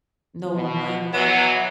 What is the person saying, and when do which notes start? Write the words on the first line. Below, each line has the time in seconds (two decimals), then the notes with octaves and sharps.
no, one
0.54 B2
1.14 B2 E3 F#3 B3